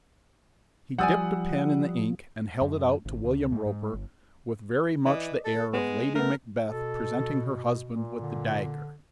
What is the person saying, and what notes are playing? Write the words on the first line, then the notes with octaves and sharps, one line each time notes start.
He dipped a pen in the ink and held it out to William Roper with very much the air of Lady Macbeth presenting her husband with the dagger.
F3 G3 C5 D5 F#5 G#5 D#6 E6
F#2
G#1
D2
G#2
G#2
G1
E3 D5 D#5
A4
G#3 B3
A3 B3 A#4
B2 A4
A#2
D3